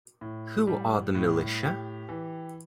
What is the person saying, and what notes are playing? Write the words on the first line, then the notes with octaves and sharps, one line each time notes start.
Who are the militia?
A2
G3
A2
G4
E3